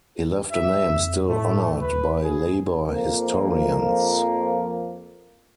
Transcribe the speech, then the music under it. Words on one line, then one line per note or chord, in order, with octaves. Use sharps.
He left a name still honoured by labour historians.
E5
F2
A2 A3
D#2 B4
G#4
F2 F3 A#3